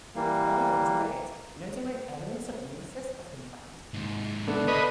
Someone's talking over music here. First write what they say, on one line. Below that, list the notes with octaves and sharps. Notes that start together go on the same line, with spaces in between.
However, to date no direct evidence of Nemesis has been found.
E3 G3 A#3
D#2 G#2
D2 G#2 A3 B3 D4
B4 C#5 D#5 F5